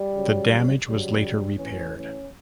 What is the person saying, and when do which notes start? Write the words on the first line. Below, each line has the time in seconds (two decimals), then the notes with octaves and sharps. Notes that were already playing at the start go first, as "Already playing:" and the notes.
The damage was later repaired.
Already playing: G3
0.15 C#3 F#3
0.86 C#3 F#3 G3
1.58 A2 E3 C#4
1.94 C#4